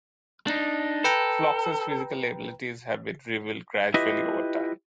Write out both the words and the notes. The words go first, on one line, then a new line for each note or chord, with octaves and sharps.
Phlox's physical abilities have been revealed gradually over time.
D4 D#4
A4 B4 G5 A#5
E4 F4 G4 B4 D#5 E5